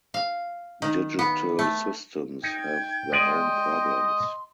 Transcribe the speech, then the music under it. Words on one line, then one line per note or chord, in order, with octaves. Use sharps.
Digital systems have their own problems.
F5
D#3
B3
A3
D#4 G5 G#6
G#3 D5 D#5 G#5 C6